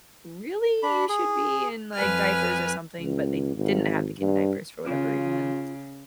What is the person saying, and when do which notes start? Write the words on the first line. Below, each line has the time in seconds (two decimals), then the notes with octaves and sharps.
"Really? You should be in, like, diapers or something," but they didn't have the kid in diapers for whatever reason, and,
0.83 D4 B5
1.09 G#4
1.95 F2 B4 G#5 F6
3.01 C#2
3.55 G#1
4.19 G2
4.85 C#3 F4